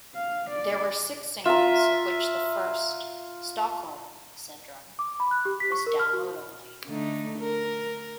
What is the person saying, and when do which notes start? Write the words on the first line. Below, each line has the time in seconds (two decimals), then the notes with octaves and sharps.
There were six singles, of which the first, "Stockholm Syndrome", was download only.
0.15 F5
0.49 D5
1.46 F4 E5 A#5
4.99 D6
5.20 B5
5.31 F#6
5.45 G4
5.60 B6
5.72 C#6
5.87 A#4
5.99 F6
6.13 F#4
6.87 D3 A3 D#4
7.39 A#4